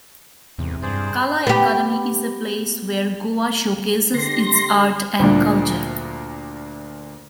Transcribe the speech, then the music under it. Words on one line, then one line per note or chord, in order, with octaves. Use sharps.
Kala Academy is a place where Goa showcases its art and culture.
E2 G#2 C3 E3
G2 G#4 C5 D5
B3 G4
D3 G4 C6 A#6
D2 A#2 D4